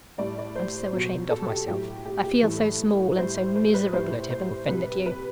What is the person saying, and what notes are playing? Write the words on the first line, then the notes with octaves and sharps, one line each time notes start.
I am so ashamed of myself--I feel so small and so miserable at having offended you.
A2 G3 D5
D5
C5
B2 F#3
A4
G4
A2 F#3 G4
G4
G4
A2 E3 G3 A4
A2 G3 C5
C5
B4
A2 G3 C5
C5
C3 G3 B4
B4